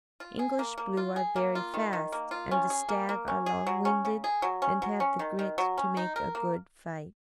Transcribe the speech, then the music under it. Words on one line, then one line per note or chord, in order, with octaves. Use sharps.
English blue are very fast and the stag are long winded and have the grit to make a good fight.
F4
G#4
A#3
A#3
F4
G#4
A#3
F4
D#3
D#3
A#3
F4
C#4
G#4
A#3
A#3
C#4
G#4
F#3
C#4
C#3
G#4
F#3
C#4
F#3
C#4
D#3
D#3
F#3
C#4
D#4
A#4
A#3